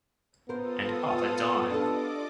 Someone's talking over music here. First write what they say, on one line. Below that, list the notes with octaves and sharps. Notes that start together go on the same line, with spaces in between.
And up a dime.
B3 F4 A4 A#4 C5 D#6
D4 G4 A4 D5 D#5 D6